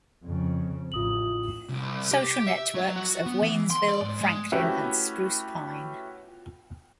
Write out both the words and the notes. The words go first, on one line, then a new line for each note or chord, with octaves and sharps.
Social networks of Waynesville, Franklin, and Spruce Pine.
F2 C#3
A1 A2 F4 D#6 F#7
C2
G4
E5
F#3
F#4
B3
E3
C6
D5
G#2
G#3
A3 C#4 E4 F#4 G4 B4